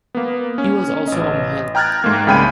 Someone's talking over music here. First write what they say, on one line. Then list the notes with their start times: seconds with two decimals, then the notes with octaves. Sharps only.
He was also a mohel.
0.15 A#3 B3
0.58 C#4
1.08 A1 D#5
1.75 G5 A#5 F6 F#6 G#6 A6
2.04 G#2 A3 A#3
2.27 C2 C#3 G5 B5 D#7